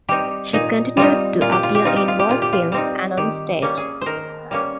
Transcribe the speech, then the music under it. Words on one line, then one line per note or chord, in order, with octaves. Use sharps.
She continued to appear in both films and on stage.
G3 C4 D#4 G4
A#2 D#4
G3 C4 D#4 F4
A#2 F4
G4
F4
G4
G3 C4 D#4 F4
G4
F4
G4
A#2 F4
G4
F4
G3 C4 D#4
D#3 G4
G3 A#3 C#4
G#4
D#3 A#4 C5
G3 A#3 C#4